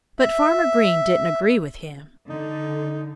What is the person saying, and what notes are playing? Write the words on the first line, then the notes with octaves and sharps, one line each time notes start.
But Farmer Green didn't agree with him.
E5
D3 D#4